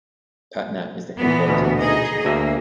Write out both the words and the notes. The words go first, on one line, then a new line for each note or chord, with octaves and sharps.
Patna is the headquarters of the division.
A#2 E3 B3
D2 B2
D#4 G#4 D#5
D2 A#3 E5